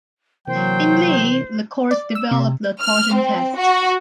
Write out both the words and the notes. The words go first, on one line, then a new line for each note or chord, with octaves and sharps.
In "Lee" the Court developed the coercion test.
C3 E3 F#3 A#3 C5 G5
D5
E6
C3
F6
C4
F#4